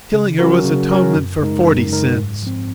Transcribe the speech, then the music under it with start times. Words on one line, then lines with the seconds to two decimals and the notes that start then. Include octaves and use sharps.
Killing her was atonement for forty sins.
0.13 C#3
0.39 F#3 C#4 F#4 A#4
0.65 C#3
0.91 F#3 C#4 F#4 A#4
1.16 F#2
1.41 C#3 G#3 D#4 A#4
1.66 F#2
1.92 C#3 G#3 D#4 A#4
2.16 G#2
2.42 F3 C4